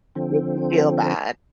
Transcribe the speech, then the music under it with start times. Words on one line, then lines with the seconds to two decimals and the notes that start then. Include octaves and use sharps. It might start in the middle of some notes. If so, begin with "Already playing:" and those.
make you feel bad
0.15 D3 F3 C4